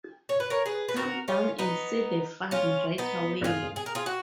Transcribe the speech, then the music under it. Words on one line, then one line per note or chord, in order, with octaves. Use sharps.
Come down and see the fun right away!
C#5
B4
A#4 C#5
G#4 B4
B4
F#4 A#4
C#4 F4
B3 D#4
C#4 F4
B3 D#4
F4 G#4
G#4
A#4
F4 G#4
F#4